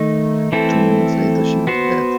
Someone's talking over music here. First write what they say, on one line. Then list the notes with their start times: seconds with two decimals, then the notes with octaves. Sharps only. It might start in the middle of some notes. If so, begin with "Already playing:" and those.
Two minutes later she was dead.
Already playing: D#3 A3 D#4
0.52 E3 A3 C4 E4 A4
1.67 B3 F#4 C5